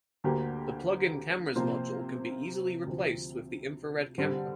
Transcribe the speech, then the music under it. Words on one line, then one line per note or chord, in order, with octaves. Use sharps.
The plug-in cameras module can be easily replaced with the infrared camera.
D2 D3 A#3 G4
C3 F3 A#3 F4 C5
D2 C3 F3
D3 G3 C4